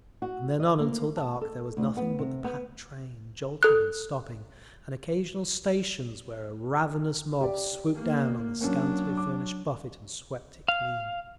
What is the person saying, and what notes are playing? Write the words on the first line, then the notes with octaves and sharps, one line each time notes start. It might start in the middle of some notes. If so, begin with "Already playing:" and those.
From then on until dark there was nothing but the packed train, jolting and stopping, and occasional stations where a ravenous mob swooped down on the scantily-furnished buffet and swept it clean....
F#4
D#5
A#3
A5
A4
D2
B3
C3
B3
A4 F#6
G4 D5
A#3
F#3 A#3 C#4 D4
D6
F5